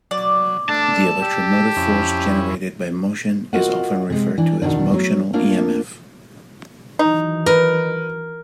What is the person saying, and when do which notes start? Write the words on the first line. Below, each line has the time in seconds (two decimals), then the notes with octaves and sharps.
The electromotive force generated by motion is often referred to as "motional emf".
0.11 F#3 D5
0.69 A3 D4 A5
1.22 G4 E6
1.77 F2 C#4 E4
3.53 F4 F#4 A#4 D#5 F5 F#5
4.10 C3 G#3
4.38 E3 D4
4.62 E2 B2 D#3 D4
4.92 F#3 A3
5.33 A3 A#3 D4 F4 A#4 F5
6.99 D#3 E3 F#3 D#4
7.46 A#4 B4